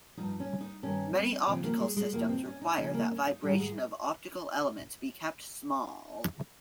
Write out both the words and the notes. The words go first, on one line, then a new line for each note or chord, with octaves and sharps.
Many optical systems require that vibration of optical elements be kept small.
G2 F3 D#4
C#4
D#4
G2 D#3 C#4
C4
D#2 C#3 F3 C4
A#3
G#3
G#3
F2 C3 F3 A#3
C4
C#4
D#4
D#2 C#3 F3 C#4
A#3
C#4
D#4
G#2 D#3 G3
G#3